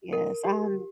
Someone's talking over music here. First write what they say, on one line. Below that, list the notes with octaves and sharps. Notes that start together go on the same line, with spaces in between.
Yes. I'm
A#4
G4